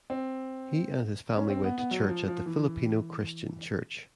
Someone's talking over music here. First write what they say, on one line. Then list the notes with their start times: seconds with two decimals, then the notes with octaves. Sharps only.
He and his family went to church at the Filipino Christian Church.
0.10 C4
1.37 C#4
1.50 C4
1.64 B3
1.78 B3
1.91 F#3
2.09 F3
2.28 F3
2.46 E3